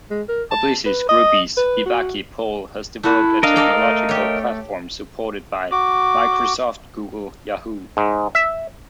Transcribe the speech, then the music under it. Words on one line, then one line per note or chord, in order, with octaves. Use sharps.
Publicis Groupe's Vivaki pole has developed a technological platform supported by Microsoft, Google, Yahoo!
G#3
A#4
A5
B4
D#5
B4
F#4
A3 E4 F#4
D4 A#4 D#5 F5
A4 D5 G5
A3
G4 C#5
F#4 D6
G#2
E5